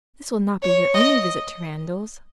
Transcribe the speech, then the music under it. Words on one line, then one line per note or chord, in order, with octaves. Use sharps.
"This will not be your only visit to Randalls."
C#5
D#5